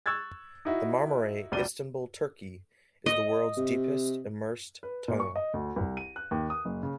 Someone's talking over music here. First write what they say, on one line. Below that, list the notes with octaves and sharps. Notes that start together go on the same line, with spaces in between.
The Marmaray, Istanbul, Turkey, is the world's deepest immersed tunnel.
C#6 E6 F#6 G#6 A6
D#4 E4 F#4
F#1 C#2 B2 D5 D#7 G7
D#5
C3
B4
A#2
C#6
D#5
D2
C2
D#7
F#6
D#2
D#6
F#1
C#3